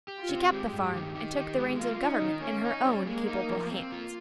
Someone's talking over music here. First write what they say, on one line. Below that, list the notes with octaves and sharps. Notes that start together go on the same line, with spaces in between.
She kept the farm and took the reins of government in her own capable hands.
G4
F4
C4
G#3 G4
G2
G4
D#3
D#4 G4
D#3
G#3
A#3 F4
C#4
D#4
D#3
A#3 C#4
D#4
G3
G#3 A#3
D#4
F3
A#3 C4
F4